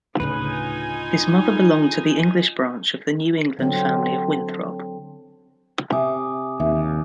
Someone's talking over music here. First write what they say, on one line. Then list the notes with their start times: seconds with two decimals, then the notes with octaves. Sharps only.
His mother belonged to the English branch of the New England family of Winthrop.
0.20 D2 A2 C#3 D#4 F4 B4 G#5
3.59 D3 F#3 C4
5.92 C3 E5 G#5 D6 D#6
6.60 D#2 E5